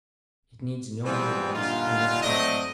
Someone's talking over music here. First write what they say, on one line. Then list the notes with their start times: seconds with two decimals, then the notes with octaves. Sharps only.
It needs no other guidance, and no protection.
1.03 E3 F3 G3 G#3 B3 C4
1.54 G2 A#2 D3 D#4 F4
2.22 F#3 A3 C4 D5 D#5